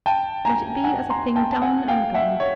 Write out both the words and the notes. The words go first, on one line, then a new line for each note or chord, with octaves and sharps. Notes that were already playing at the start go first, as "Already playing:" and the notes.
Let it be as a thing done and gone.
G5 A5
G#5 A#5
F#5 G#5
A#5 C6
G5 A5
A5
F#5 G#5
F5 G5
E5 F#5
C#5